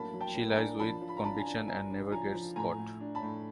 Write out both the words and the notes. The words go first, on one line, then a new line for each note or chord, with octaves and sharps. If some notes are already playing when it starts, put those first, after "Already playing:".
She lies with conviction and never gets caught.
Already playing: A2 F#3 A#3 D4 A5 B5
F#3
G5 A5
A#3
G#5 A#5
D4
F3 A5 B5
F3
B5
A#5
D4 A5 B5
G#5 A#5
D4
D4 G#5 A#5
D4
F3 G#5 A#5
F3
A2 G#5 A#5
A2
D4
A5 B5
A2